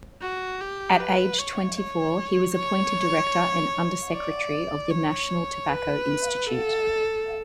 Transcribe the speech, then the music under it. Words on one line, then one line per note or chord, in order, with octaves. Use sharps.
At age twenty-four, he was appointed director and undersecretary of the national Tobacco Institute.
F#4
G4
B4
C#5
C#5
C#5
D5
C#5
B4
A4